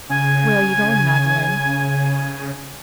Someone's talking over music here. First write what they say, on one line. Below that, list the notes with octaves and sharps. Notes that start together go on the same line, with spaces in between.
"Where are you going, Magdalen?"
C#3 G#5